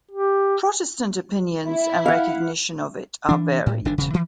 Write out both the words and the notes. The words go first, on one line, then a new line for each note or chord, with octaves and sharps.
Protestant opinions and recognition of it are varied.
G4
E4
F5 F#5
E3 D4
A2
G1 D3 D#3 D4
E1 C#3
E3 F3